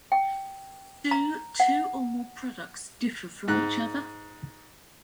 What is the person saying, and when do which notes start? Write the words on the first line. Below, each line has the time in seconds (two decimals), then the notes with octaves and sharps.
Do two or more products differ from each other?
0.12 G5
1.11 A#5
1.60 F#5
3.48 G#2 F#6